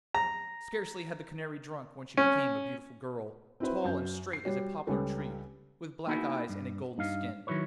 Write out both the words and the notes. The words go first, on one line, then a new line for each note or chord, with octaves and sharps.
Scarcely had the canary drunk when she became a beautiful girl, tall and straight as a poplar tree, with black eyes and a golden skin.
A#5
C#4
C4 E4 F#4 B4 C5
F#2 G6
C7
G3 F#4 C#5
C#2 C#3 G3 C#4 A4 B4
A#3 B3 D#4 E4 F#4 G#4
G2
G2 D#4 F5
D#3 F#3 E4 B4 C#5